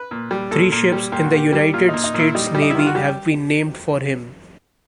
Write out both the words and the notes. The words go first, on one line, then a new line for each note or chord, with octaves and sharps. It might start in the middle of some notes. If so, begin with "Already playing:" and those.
Three ships in the United States Navy have been named for him.
Already playing: B4
A#2
G3
A#2 A4
A#2
G3
A#2 G4
F#4
A#3 G4
G3
A#2 F4
A#2 D#4
D#4
A#2 E4
G3 D#4
G3
D#4
E4
D#3 F4
F#4
G3 G4